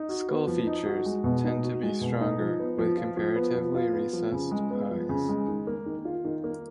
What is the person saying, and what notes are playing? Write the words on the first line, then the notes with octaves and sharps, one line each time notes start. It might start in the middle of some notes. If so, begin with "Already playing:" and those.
Skull features tend to be stronger, with comparatively recessed eyes.
Already playing: D#4
F#4
B3
F3
D#4
F#4
G#3
B2
D#4
F#4
G#3
B2
D#4
F3
B3
F3
F4
F3
B3
F3
F4
B3
F3
C#3
G#3
B3
F3
C#3
G#3
D#3
A#3
D#3
F4
D#3
A#3